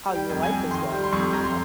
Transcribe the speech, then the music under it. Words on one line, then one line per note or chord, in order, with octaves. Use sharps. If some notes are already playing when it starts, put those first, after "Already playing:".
how your life is going, you know?
G3
G5
F2
G#5
F2
D#3 C6
G3
C6
F2 C#6
F2 A#5
C6